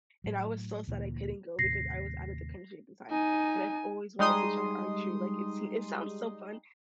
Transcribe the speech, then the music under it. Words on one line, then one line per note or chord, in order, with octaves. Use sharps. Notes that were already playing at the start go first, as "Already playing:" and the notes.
and I was so sad I couldn't go because I was outta the country at the time, but I've always wanted to try archery, like, it seem it sounds so fun,
A2 F#3
D2 A#2 E3
D#2 A2 C3 A#6 C7
D#4 G#5
G3 G#3 D#4 C6 D#6